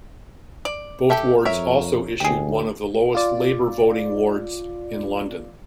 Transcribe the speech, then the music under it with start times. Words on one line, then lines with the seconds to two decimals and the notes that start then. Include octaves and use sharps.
Both wards also issued one of the lowest Labour voting wards in London.
0.65 D5
1.10 G4 A4 E5
1.45 F2 A#4 C#5 E5
2.20 D2 G4 G#4
3.15 F4 D5